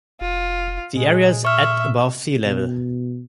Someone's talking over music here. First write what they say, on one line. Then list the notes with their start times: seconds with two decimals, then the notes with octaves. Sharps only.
The area is at above sea-level.
0.21 F1 F4
0.96 A#2 G#3
1.45 E5 C#6 F6
2.45 B2